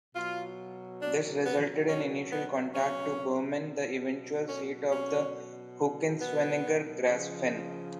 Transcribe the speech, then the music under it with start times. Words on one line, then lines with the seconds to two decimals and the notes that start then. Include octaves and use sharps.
This resulted in initial contact to Böhmen, the eventual seat of the Hückeswagener Grafen.
0.15 B2 F#3 F4
1.02 D4
1.44 B3
1.88 C#4
2.31 B3
2.74 C#4
3.61 B2 F#3
4.47 C#4
4.91 C#4
6.21 B3
7.07 C#3 F3